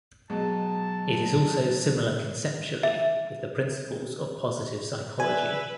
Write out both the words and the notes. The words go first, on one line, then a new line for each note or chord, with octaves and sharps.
It is also similar conceptually with the principles of positive psychology.
B2 F#3 G#3 A5
E5
B4 D5 E5 G#5